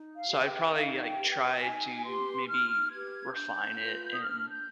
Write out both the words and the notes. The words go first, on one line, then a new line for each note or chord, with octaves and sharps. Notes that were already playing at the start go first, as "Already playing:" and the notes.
so I'd probably, like, try to maybe refine it and
Already playing: D#4
F5
G4 B4
G5
D#4 F5
G5
G4 B4
G5
D#4 G#5
G4 B4 C6
D#4 F6
G4 B4 G#6
D4 G6
F4 B4
D#6
D4 F6
G6